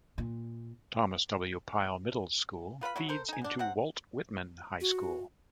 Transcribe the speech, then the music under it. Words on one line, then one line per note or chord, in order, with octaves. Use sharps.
Thomas W. Pyle Middle School feeds into Walt Whitman High School.
A#2
F4 B4 F5 B5
F#3 E4 F#4
A4 A#4 C5
D#4 G#5
B2 D4
C3 C4 F#5
F#4